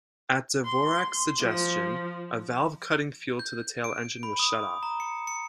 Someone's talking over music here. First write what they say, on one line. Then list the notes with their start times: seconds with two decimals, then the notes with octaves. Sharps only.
At Dvorak's suggestion, a valve cutting fuel to the tail engine was shut off.
0.65 C6
1.41 F3
3.39 G6
3.84 D7
4.23 B5
4.39 D#6
4.83 A#5
5.00 C#7
5.27 C#7